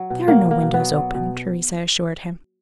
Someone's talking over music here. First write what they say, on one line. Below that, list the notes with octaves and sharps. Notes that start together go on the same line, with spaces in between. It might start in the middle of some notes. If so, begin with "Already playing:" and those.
"There are no windows open," Theresa assured him.
Already playing: F#3
B2
F#3 A#3
F#3
A#3
B2
B3
F#3
F#3
B2